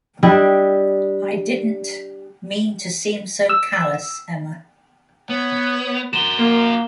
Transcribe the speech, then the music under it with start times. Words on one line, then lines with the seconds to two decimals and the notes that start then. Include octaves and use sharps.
I didn't — mean to seem so callous, Emma.
0.23 G3 D4 E4 D#5
3.49 E6
5.29 B3 C#5
6.13 F#4 A#4 C6 E7 G7
6.39 A#3